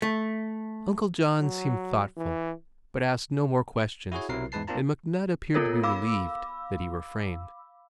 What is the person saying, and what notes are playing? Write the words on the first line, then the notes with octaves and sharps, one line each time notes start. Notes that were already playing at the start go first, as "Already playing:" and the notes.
Uncle John seemed thoughtful, but asked no more questions, and McNutt appeared to be relieved that he refrained.
A3
F#3
E3
E4 F#4 G#4 C#5
B1 C3 F#3 E4 A#4 C7
E2 G#2 G#3 B4 A5 C7
A#3 C4 D4 F4 A5 A#5
B3 F4 A4 A#4 C#5
F5 B5 D6 E6